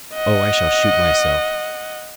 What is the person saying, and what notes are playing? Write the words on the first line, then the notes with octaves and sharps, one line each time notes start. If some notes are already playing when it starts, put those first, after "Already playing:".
Oh, I shall shoot myself!
D#5 F#5